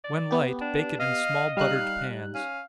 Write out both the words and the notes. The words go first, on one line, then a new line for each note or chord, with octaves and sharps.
When light, bake it in small buttered pans.
D5
B3 G4
D4
D#5 F5
G3 D#4 F5 F#6
C#4 F5